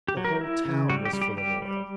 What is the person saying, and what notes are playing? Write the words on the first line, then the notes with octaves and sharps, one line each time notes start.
The whole town was full of oil.
G4
F#3
A#4
E4
C#3
G3 F#4
G4
G3
G4
G3 G4
G3